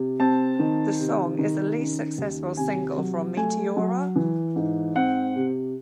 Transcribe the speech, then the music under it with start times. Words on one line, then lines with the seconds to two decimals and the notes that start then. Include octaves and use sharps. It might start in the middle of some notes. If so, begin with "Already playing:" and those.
The song is the least successful single from "Meteora".
Already playing: C3
0.20 C4 A5
0.59 D#3
0.99 C3
1.39 D#3
1.78 C#4
2.18 D#2
2.57 C3 G#5
2.97 F#3
3.37 A3 G#5
3.76 F#3
4.16 E3
4.56 G#2
4.96 C4 F#5
5.35 C3